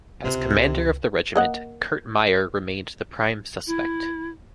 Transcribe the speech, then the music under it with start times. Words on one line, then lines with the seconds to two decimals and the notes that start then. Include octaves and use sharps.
As commander of the regiment, Kurt Meyer remained the prime suspect.
0.24 C#2 C3
1.36 A#3 D#5 F#5
3.67 E4